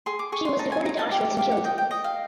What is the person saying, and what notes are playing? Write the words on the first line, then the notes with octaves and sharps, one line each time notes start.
She was deported to Auschwitz and killed.
G#4 C6
D6
G#4 C#6
C6
D#4 A5
G#5
D#4 A#5
A5
G4 G#5
G4 F5
F#5
D#5 G5
G5
D#5 G5
F5